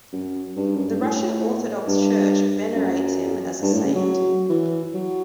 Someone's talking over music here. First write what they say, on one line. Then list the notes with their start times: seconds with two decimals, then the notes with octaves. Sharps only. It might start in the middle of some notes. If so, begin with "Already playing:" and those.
The Russian Orthodox church venerates him as a saint.
0.13 F#2
0.56 G2
0.75 F#2
0.88 G2
1.00 A2
1.88 G2
2.75 F#2
3.62 G2
3.73 A2
3.84 C#3
3.95 F#3
4.50 E3
4.94 F#3